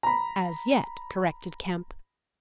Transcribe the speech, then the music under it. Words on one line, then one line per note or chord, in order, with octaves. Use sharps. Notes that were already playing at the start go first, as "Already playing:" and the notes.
"As yet," corrected Kemp.
A#5 B5